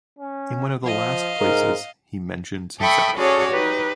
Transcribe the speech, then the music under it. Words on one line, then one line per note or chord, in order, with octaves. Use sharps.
In one of the last places, he mentions himself.
C#4
F3 D#5 F5
G#2 A#4
A4 E5 G5 B5 C#6 D#6
C#4 F#4 G#4 A4 C#5 D5
D#4 G4 B4